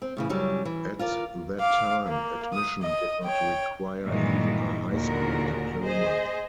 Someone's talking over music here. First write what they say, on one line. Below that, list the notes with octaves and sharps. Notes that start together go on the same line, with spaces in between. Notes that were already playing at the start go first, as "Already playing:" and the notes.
At that time, admission did not require even a high school diploma.
C4
A2 C#3 E3
F#2 C#3 F#3 G3
E3
F4 A#4 D5
F5 D6
A#3
D#6
D#5 D#6
C#5 G5
G2 A#2 D#3 E3 F#3 G#3
D#2 A#2 D3 F#4 G#4 A#4
G#4 C5 D#5